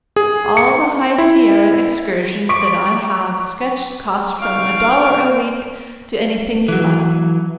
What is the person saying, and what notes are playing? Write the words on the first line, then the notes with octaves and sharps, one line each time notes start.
All the High Sierra excursions that I have sketched cost from a dollar a week to anything you like.
G#4
C#7
E4
C#6 D6 B6 D7
G#2 F#4 F5 C#6 F6 D7
E3 F#3